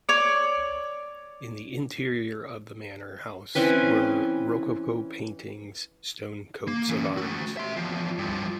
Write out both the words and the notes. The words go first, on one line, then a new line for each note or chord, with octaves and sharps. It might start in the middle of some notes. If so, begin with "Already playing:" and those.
In the interior of the manor house were rococo paintings, stone coats of arms.
C#5 D5
E3 C4 C#4 B4
A#3
E3 C#4
A3 F#4
E5 C6
E2 F3
G2 F3